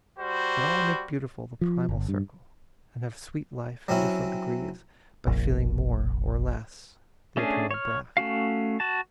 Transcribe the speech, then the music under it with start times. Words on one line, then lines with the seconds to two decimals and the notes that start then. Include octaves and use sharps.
But all make beautiful the primal circle, And have sweet life in different degrees, By feeling more or less the eternal breath.
0.19 G3 F#4 C5
1.61 F3
1.89 G1
2.08 G2
3.88 F#3 C4 C#4 E4
5.27 F1 A#1
7.37 A3 C#4 D4 G#4
7.71 C#5 F6
8.17 A3 C#4 F#4 F5
8.80 F#4 A5